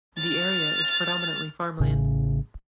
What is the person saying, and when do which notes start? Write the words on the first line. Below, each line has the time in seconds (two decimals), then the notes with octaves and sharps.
The area is predominantly farmland.
0.19 F6 A6
1.80 A1 A2 C#3